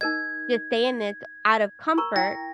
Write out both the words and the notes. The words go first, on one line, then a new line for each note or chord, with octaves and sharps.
just stay in this out of comfort,
D#4 A#4 D#5 G#6
A#4 A#5 C#6
E4 G5 A#6